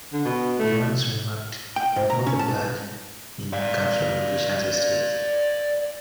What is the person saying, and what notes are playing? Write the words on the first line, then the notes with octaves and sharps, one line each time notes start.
He once remarked "all the blood in me comes from English ancestors".
D3
B2
A3
G5
G#2
A#5
C#4
A5
B1
D5 F5